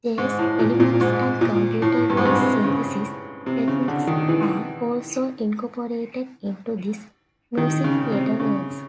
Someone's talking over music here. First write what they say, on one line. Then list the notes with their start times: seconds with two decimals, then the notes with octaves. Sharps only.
Jazz elements and computer voice synthesis techniques are also incorporated into his music-theater works.
0.18 G#2
0.39 A2
0.59 A#2
0.80 A#2
1.01 G#2
1.41 A#2
1.82 A2
2.10 G2
2.17 G#2
2.25 G2
2.37 C3
2.64 C#3
3.46 C3
3.68 C#3
3.88 D3
4.07 D#3
4.29 E3
7.57 D#3
7.84 C#3
8.12 C3
8.40 C#3